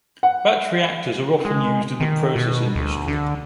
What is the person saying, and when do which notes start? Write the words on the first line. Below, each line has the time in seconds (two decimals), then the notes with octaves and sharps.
Batch reactors are often used in the process industry.
0.23 F#5
1.45 G#3
2.00 D#3
2.36 B2
2.75 D2
3.08 D3